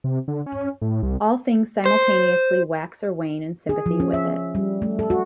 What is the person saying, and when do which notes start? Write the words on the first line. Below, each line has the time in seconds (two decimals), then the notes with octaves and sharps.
All things simultaneously wax or wane in sympathy with it.
0.04 C3
0.28 D3
0.46 C#4
0.82 A2
1.03 C2
1.86 C5
3.69 G#4
3.86 F3
4.00 C#4
4.13 E5
4.55 G3
4.82 A3
4.99 A4
5.10 F#4